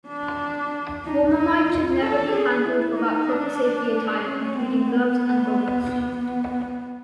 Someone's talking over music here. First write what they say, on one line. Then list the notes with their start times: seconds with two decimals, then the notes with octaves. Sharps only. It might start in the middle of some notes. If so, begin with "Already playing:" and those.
Formamide should never be handled without proper safety attire including gloves and goggles.
0.08 D4
1.04 D#4
1.36 D#4
1.69 F4
2.01 A4
2.32 G#4
2.65 E4
2.96 D#4
3.29 D4
4.25 C#4
4.57 C4
4.89 B3
6.17 B3